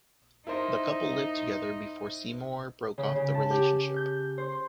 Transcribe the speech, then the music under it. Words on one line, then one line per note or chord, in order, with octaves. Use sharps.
The couple lived together before Seymour broke off the relationship.
D#4 E4 A#4 C5
C#3
C#3
A5
G4
G6
C5
C6